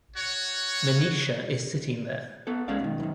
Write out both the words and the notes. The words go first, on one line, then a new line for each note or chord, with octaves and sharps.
Manisha is sitting there.
F#4 C#5
B3 A4
G#3 C#4 G#4 D5 F5
B1 D#3
F#2 D#3